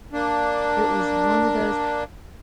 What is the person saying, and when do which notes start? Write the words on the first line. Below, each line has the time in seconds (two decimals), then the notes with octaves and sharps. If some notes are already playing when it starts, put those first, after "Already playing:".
It was one of those
0.13 A#3 D4